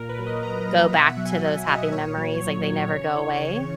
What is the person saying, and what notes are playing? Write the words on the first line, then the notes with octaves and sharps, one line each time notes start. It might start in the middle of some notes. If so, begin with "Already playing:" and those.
go back to those happy memories, like, they never go away
Already playing: A#2 A#4
B4
F#3
D#5
A#2 A#5
F#3
B2 E5
F#5
F#3
G#5
B2 F#5
F#3 D#5
A#2 C#5
F#3
A#2
F#3
C#3
E3
C#3